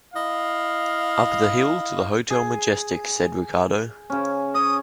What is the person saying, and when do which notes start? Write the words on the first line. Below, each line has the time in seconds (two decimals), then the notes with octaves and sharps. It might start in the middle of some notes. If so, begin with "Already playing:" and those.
"Up the hill to the Hotel Majestic," said Ricardo.
0.14 E4 D#5 F5
2.30 G#4
4.10 C#3 C#4
4.55 C#5 D#6